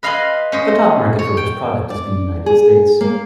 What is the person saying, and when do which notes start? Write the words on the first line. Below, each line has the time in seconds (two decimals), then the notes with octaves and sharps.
The top market for this product is the United States.
0.03 B4 D#5 F5 G#5 B5 C6
0.52 C#4 C5 D#5
1.19 C#5
1.37 G5
1.90 D5
2.46 G#4
3.01 A#3